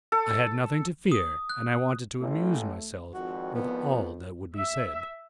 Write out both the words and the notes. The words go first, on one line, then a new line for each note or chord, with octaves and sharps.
I had nothing to fear, and I wanted to amuse myself with all that would be said.
A4
D#6
F#6
A1 A3
G#1 F2 F#4
B3
E5